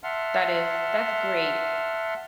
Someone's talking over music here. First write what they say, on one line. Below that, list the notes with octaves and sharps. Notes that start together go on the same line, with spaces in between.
That is That's great.
E5 F#5 A5 C6 F6